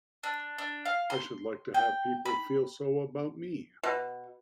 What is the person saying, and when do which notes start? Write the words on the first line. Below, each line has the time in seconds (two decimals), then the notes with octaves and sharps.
I should like to have people feel so about me.
0.24 D4
0.58 D4
0.85 F5
1.10 C6
1.74 G5
2.26 B5
3.83 B2